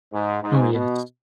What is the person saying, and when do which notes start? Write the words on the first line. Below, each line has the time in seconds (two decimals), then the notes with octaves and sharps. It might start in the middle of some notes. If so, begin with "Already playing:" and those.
Oh, yes.
0.12 G#2
0.42 G#2
0.72 B2